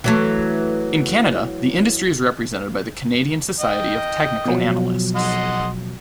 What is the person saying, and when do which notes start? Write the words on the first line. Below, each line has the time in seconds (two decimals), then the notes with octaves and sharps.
In Canada the industry is represented by the Canadian Society of Technical Analysts.
0.04 E3 F#3 A3
3.60 D#5 G5
4.45 B2 F3 F#3
5.16 D#5 F#5 C6